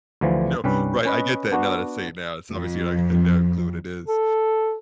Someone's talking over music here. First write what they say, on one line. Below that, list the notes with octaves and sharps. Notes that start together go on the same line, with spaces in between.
No, right, I get that, now that I say it now, it's obviously, like, no clue what it is,
D2 D3 E3 F3
C2 G2 G3 C#4 B4
C#4 B4 D#5
B3 D4 F#4
F2
A4